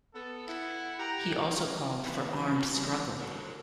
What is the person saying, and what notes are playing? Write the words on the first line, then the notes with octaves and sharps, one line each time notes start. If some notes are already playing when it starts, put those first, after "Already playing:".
He also called for armed struggle.
B3 A4
E4 F#5
G4 A#4 F#5 G5 A#5
G3 C#4 G#4
A#2 D#3 A3 A#3 E4 B4
G2 E3 F4
C4 C#4 F#4 G4
E3 G3 E4 G#4
F#4 A4 A#4